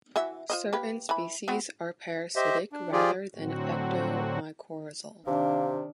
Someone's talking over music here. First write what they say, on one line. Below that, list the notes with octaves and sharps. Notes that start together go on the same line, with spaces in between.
Certain species are parasitic rather than ectomycorrhizal.
E3 F#4 E5
F4 C5 D#5
A#3 G4 B4
E3 B5
B3 C4 F#4
G4 C5 D#5 E5
D4
F3 F4 G4 G#4 D5
A2 D3 F#3 C4 F#4
C3 D#3 D4 F5